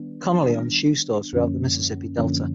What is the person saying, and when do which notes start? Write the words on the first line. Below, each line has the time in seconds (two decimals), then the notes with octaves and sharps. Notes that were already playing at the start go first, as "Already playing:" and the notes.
Conerly owned shoe stores throughout the Mississippi Delta.
Already playing: D#3 G3 B3 D4
0.48 D#3 G3 B3 D4
1.33 F#2 D3 F3 A#3 C#4
2.18 F#2 D3 F3 A#3 C#4